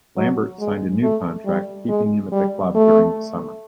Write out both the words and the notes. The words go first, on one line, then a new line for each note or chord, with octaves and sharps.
Lambert signed a new contract keeping him at the club during the summer.
F#3
G#3
A3
G3
G#3
G3
A3